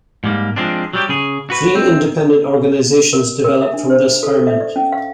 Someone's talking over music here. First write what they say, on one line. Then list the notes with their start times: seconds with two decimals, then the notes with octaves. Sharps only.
Three independent organizations developed from this ferment.
0.24 G#2 G3 A#3
0.56 F3 G#3 C4 D4
0.93 F#3 G3 G4
1.09 C#3 G#4
1.50 F#4 B4
1.75 C4
3.13 A#4
3.44 A#4
3.62 E5
3.74 D4
3.90 C5
4.23 A4
4.47 E5
4.60 D5
4.76 C#4
4.92 F5